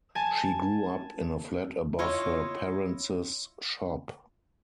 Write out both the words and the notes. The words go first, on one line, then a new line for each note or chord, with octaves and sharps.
She grew up in a flat above her parents' shop.
G#5 A5
E4 F4 C#5 D#5